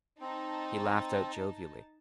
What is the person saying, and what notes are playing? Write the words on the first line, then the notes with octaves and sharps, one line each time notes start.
He laughed out jovially.
C4 D#4 A5